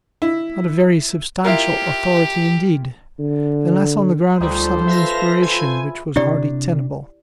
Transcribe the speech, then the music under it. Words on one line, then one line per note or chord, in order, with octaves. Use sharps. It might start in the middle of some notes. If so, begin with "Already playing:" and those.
Not a very substantial authority indeed, unless on the ground of sudden inspiration, which was hardly tenable.
E4
E4 F4 G4 A#4
D3
D2 F3 G3 D#4 G#4 A4 C5
B4 E5 F5 A#6
E4 F4 G#5
C3 D4 E4 G4 D5